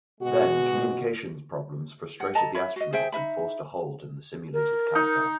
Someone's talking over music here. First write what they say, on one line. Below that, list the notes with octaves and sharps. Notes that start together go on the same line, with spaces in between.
Then, communications problems frustrated the astronauts and forced a hold in the simulated countdown.
B2 G#3 F#4
F#5
A4 D#5 A5 A#5
C#5 E5 B5
F#4 D#5
G#4 C5 E5 G5
D#4 B4 E5 B5
A#4
D#4